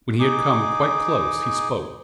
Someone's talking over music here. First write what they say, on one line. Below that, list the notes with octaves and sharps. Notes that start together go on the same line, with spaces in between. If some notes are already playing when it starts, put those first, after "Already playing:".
When he had come quite close he spoke.
D#4 G#4 D6